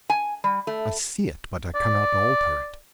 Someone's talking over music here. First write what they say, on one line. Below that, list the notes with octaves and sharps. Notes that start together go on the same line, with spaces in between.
I see it, but I cannot alter it.
G#5
G3
A3
D5